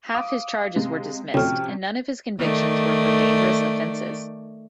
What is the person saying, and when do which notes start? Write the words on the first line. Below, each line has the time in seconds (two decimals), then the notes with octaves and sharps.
Half his charges were dismissed, and none of his convictions were for dangerous offences.
0.14 F5 D6 D#6
0.76 C3 G#3
1.34 D2 A2 C3 F3 C#4 G5 F6
2.39 D#3 A3 D5